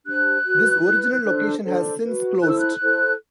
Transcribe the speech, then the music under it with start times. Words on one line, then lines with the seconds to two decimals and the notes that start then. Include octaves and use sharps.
This original location has since closed.
0.05 D4 G4 C5 F#6
0.45 F#4 B4
0.84 E4 B4
1.24 D4 A4 C5
1.63 D4 A4 C5
2.02 F#4 B4
2.41 E4 A4 C5 F#6
2.49 E6
2.58 F#6
2.80 E4 A4 C5